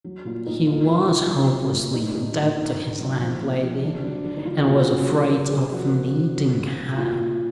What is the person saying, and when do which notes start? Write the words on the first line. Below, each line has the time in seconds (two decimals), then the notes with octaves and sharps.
He was hopelessly in debt to his landlady, and was afraid of meeting her.
0.04 F#3
0.25 A#2 F4
0.46 A#2 D#4
0.67 F#3 F4
0.88 F#3
1.10 D3
1.31 F#3
1.51 F#3
1.72 A#2
1.93 F#3 D#4
2.09 D4
2.14 D3 D#4
2.36 F#3 D#4
2.57 D3
2.78 D3
2.98 F#3
3.19 F3
3.40 A#2
3.62 F3
3.83 F#3 D4
4.04 F#3 D4
4.24 D3 D4
4.37 D#4
4.45 F#3 F4
4.67 A#2 F#4
4.88 A#2 G#4
5.09 F#3
5.30 D3 A#4
5.51 F#3 G#4
5.72 F3 F#4
5.93 F3
6.14 F3
6.35 F#3
6.56 F#3
6.77 F#3
6.94 F#4
6.98 A#2 F4
7.18 A#2